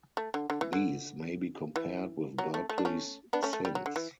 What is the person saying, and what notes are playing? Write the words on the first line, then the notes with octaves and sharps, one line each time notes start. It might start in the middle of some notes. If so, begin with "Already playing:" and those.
These may be compared with Berkeley's "Sins".
A3
D3
D3
E3
D3
E3
F#3
A3
A3
D4
A3 C#4
B3 D4
A3 C#4
A3
G3
F#3
D3
E3